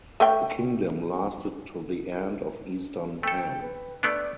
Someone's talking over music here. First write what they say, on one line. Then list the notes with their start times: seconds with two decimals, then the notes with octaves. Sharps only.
The kingdom lasted to the end of Eastern Han.
0.20 A3 C#5 G5
3.23 A3 A4 G5
3.62 B4
4.03 A3 B3 D4 D5